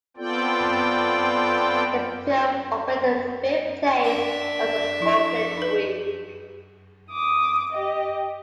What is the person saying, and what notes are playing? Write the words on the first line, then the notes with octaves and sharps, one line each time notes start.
The film opened in fifth place on its opening week.
B3 C4 F4 A4 D5 G5
D4 E5
F3 E4
D#4 B4
D6 D#6
G4 D#5